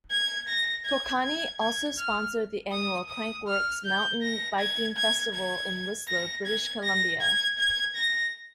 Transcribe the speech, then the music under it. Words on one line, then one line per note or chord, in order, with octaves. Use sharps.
Kokanee also sponsored the annual Crankworx mountain biking festival in Whistler, British Columbia.
G#6
A#6
G#6
G#6
G#6
F6
D#6
D#6
F6
G6
A#6
G#6
G#6
G#6
A#6
G#6
A#6
G#6
G#6
A#6